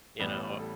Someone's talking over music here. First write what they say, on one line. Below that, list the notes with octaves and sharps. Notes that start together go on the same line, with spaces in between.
you know?
A1 A2 G3 B3 B4
A4